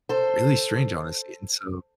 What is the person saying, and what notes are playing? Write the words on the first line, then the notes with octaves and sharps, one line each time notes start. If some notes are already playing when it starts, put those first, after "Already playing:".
really strange, honestly, and so
A4 C5